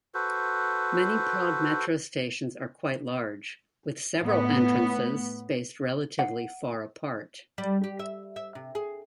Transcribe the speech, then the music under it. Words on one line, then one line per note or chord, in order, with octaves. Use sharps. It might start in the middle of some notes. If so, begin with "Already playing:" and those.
Many Prague Metro stations are quite large, with several entrances spaced relatively far apart.
F#4 A4 B4 C5
A2 B3
F#5
G3
G4
E5
E5
C3
G#4